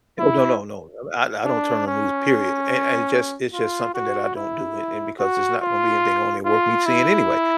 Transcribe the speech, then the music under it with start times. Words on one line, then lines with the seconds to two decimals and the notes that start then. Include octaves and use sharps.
Oh, no, no, no I I don't turn on news, period and and it just it's just something that I don't do and and because there's not gonna be anything on there worth me seeing anyway.
0.19 E4
1.44 D4
1.87 C#4
3.53 F4
3.95 F#4
4.36 E4
5.19 F#4
5.62 F4
6.45 F4
6.86 E4